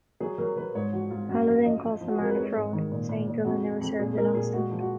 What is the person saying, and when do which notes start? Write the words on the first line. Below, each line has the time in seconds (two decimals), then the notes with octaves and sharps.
Paladin calls the man a fraud, saying Dillon never served in Austin.
0.20 F#3 G#4
0.38 F#3 A#4
0.56 F#3 B4
0.75 G#2 C#5
0.93 F3 F#4
1.11 G#2 F4
1.29 F#2 F#4
1.47 F3 F5
1.65 F3 D#5
1.83 F3
2.01 F3
2.09 F#4
2.16 G#4
2.19 F2 A#4
2.30 B4
2.37 G#3 C#5
2.56 G#2
2.73 D#3
2.92 A#2
3.09 A#2
3.27 A#2
3.44 F2 F#4
3.63 G#3
3.81 F2
3.99 A#2 G#4
4.17 G#3 A#4
4.35 A#2 G#4
4.54 G#3 F#4
4.71 F3
4.80 F#4